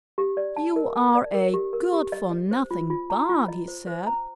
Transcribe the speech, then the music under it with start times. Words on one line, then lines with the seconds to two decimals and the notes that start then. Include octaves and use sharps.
"You are a good-for-nothing bug," he said.
0.18 G4
0.37 D5
0.56 A5
0.76 A#4
0.96 A5
1.15 D5
1.34 A#4
1.54 G4
1.73 A#4
1.93 G4
2.12 D#5
2.31 D#5
2.51 C5
2.71 F4
2.90 F4
3.10 A#5
3.29 F4
3.48 D#5
3.68 C5
3.87 C5
4.07 A#5